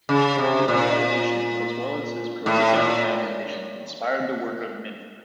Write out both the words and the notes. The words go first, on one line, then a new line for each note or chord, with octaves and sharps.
His realizations as well as his prolific imagination inspired the work of many.
C#3
C3
A#2
A2
A#2